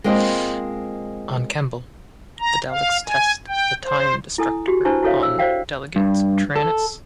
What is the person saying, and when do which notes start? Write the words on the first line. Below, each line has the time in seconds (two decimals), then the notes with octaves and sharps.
On Kembel, the Daleks test the Time Destructor on delegate Trantis.
0.04 G#3 A#3 C4 F4 D#5
2.40 A#5
2.70 F5
3.06 G#5
3.48 G5
3.84 C5
4.38 E4 A4 G#5 D#6
4.68 F#4 G4
4.85 D4 E4 B4 C5 A5 C#6
5.03 E4 F#4 A4 C#5 E5 F5
5.23 E6
5.39 C5 D5 F5 G5
5.96 G2
6.56 A4